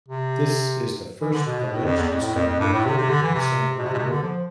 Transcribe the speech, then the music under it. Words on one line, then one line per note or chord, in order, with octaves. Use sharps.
This is the first alleged discovery of gold in the San Juan River.
C3
E3
D3
B2
B2
A2
F2
E2
F2
A2
F2
F2
G2
A2
C3
C3
D3
E3
C3
B2
C3
B2
C3
D3
F3